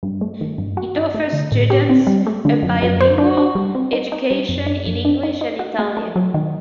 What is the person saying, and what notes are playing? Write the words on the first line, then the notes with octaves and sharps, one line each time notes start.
It offers students a bilingual education in English and Italian.
G2
A3
D#3
G2
F#4
D#4
A3
D3
A2
G4
C4
G3
A3
D3
F#2
F#2
C5
D4
D4
G3
C4
D#4
D#4
G3
F#2
D4
F#2
D4
D#4
D#4
F#4
A3
A3
F#3
D#3